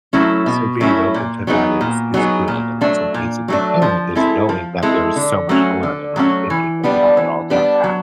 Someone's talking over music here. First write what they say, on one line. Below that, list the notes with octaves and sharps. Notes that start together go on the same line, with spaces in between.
So being open to that is is good, and that's what makes a good parent is knowing that there's so much to learn and not thinking that you have it all down pat.
F#3 A3 C#4 E4
B2
F#3 A3 C#4 E4
A#2
F#3 B3 D#4 G#4
A#2
F#3 B3 D#4 G#4
A#2
F#3 A3 D4
A#2
F#3 A3 D4
F3
G#3 C4 E4 A4
F3
G#3 C4 E4 A4
D3
F#3 A3 C#4 F#4
D3
F#3 A3 C#4 F#4
E3
G3 B3 D4
E3
G3 B3 D4
F#3